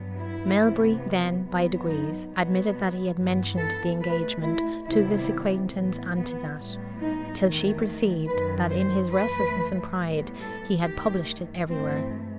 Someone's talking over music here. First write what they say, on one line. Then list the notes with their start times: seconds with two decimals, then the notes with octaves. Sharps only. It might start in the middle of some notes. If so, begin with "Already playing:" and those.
Melbury then by degrees admitted that he had mentioned the engagement to this acquaintance and to that, till she perceived that in his restlessness and pride he had published it everywhere.
Already playing: G2 F#3 B3
0.17 E4
0.59 C3 E3 B3
1.44 F#2 F#3 B3
1.87 D#4
2.30 B2 F#3 B3
3.15 G2 E3 B3
3.58 A4
4.00 B2 A3 B4
4.43 E4
4.85 C3 D#3 G3 B3 E4
5.71 A2 E3 B3
6.14 B3
6.56 A2 G3 B3
7.00 D#4
7.42 E2 D#3 A3
8.27 F#2 D#3 F#3 B4
8.69 C5
9.13 F#2 E3 A3 B4
9.98 A2 G3 B3
10.41 A4
10.82 G2 D#3 A3 G4
11.68 G2 E3 A3 C4